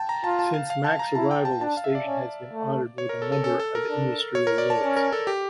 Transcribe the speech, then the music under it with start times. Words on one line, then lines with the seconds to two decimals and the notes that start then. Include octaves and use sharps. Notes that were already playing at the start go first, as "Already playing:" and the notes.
Since Mack's arrival, the station has been honoured with a number of industry awards.
Already playing: G5 A5
0.09 A#5
0.24 F4 A5
0.39 A5
0.54 F5
0.70 F5
0.84 A5
0.99 A#5
1.15 E4 A5
1.31 G5
1.45 A5
1.61 D4 A5
1.77 F5
1.84 E5
1.95 D5
2.06 C#4
2.53 A3
2.98 C#5
3.09 A#4
3.22 A4
3.32 A4
3.43 C#4 A4
3.59 A4
3.75 A#4
3.90 D4
4.35 C#5
4.47 A#4
4.58 D5
4.70 A5
4.82 C#4
4.96 A#4
5.12 A4
5.27 G4